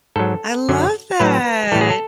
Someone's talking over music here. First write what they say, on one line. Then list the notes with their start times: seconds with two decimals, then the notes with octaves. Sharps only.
I love that!
0.16 G#2 F#3 A4
0.69 F#2 D3 F#3
1.20 A2 F#3 B4
1.72 A2 E3 A4
1.81 G#4
1.90 A4